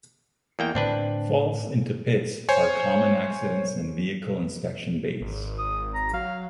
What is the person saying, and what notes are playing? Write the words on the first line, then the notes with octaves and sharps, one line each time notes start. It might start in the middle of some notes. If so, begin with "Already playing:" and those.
Falls into pits are common accidents in vehicle inspection bays.
E2 A#3 G5
A2 D3 C4 D4 B4
C5 C#5 G#5
G#1
D#6
A#5
F#3 F5